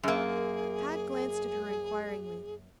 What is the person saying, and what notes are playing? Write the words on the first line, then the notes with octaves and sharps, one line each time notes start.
Tad glanced at her inquiringly.
F#2 A#3 G#4